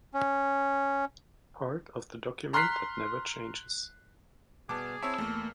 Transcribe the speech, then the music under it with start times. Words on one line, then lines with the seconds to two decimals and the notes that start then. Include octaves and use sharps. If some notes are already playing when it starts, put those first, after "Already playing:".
Part of the document that never changes.
0.14 C#4
2.53 A#5 C6 F6 F#6 B6 C7
4.69 B2 G3 B3 G#4 A5 D6
5.02 C4 E4 C#5 E5 A5 E6
5.18 E2 A3 A#3